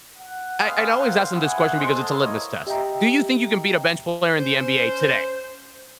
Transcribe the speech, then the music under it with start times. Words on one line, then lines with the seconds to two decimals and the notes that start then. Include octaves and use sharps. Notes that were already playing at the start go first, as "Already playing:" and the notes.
I I'd always ask them this question because it's a litmus test, "Do you think you can beat a bench player in the NBA today?"
0.18 F#5
0.60 G3 G#3 B3 C#4 G#4 F5
0.96 G#3 C4 A#4 C5 F5 F#5
1.34 C#4 E4 G#4 F#5
1.77 G#3 A4 C5
2.18 A3 A#3 E4 C#5 D#5
2.67 G4 D#5 E5 G5 A#5
4.38 C#4 C5